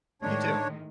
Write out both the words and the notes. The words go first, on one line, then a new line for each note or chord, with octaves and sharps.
You too.
A2 D#3 G#3 D4 C#5